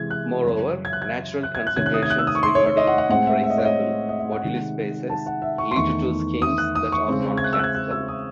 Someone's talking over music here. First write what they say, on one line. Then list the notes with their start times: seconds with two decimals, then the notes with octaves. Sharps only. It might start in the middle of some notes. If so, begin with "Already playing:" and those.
Moreover, natural considerations regarding, for example, moduli spaces, lead to schemes that are "non-classical".
Already playing: C3 E3 G#3 G#6
0.10 F#6
0.44 F#2 C#3 F#3 C#4
0.85 G#6
0.93 F#6
1.02 G#6
1.43 F#6
1.55 G#6
1.67 F#6
1.76 C3 D#3 A3 C#4 G#6
1.86 F#6
1.94 D#6
2.03 G#6
2.10 F#6
2.18 E6
2.27 D#6
2.35 C#6
2.43 C6
2.55 C#5
2.66 C#5
2.77 D#5
2.87 F#5
2.98 F#5
3.09 A2 G#3 C4 F#5
3.27 E5
3.44 E5
3.50 D#5
3.58 C#5
3.65 D#5
4.09 D#5
4.20 D#5
4.32 F#5
4.43 C3 D#3 G#3
5.10 A5
5.26 F#5
5.42 E5
5.58 C#6
5.71 C6
5.75 E2 D#3 A3 D#4 C#6
6.42 D#6
6.58 F#6
6.75 D#6
6.92 C#6
7.08 C#3 G#3 C4
7.37 G#6
7.44 F#6
7.53 E6
7.59 F#6
7.64 G#6
7.74 F#6
7.91 E6
8.08 D#6